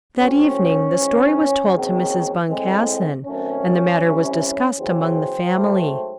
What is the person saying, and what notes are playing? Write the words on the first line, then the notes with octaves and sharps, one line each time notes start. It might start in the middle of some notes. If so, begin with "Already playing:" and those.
That evening the story was told to Mrs. Boncassen, and the matter was discussed among the family.
A2 F#3 C4 C#4
G#2 E3 C4
D#2 C#3 F#3 C4
A2 G#3 C4
F#2 D#3 A3 C4 C#4
C2 C3 E3
E2 C#3 F#3 C4
G#2 F#3 A3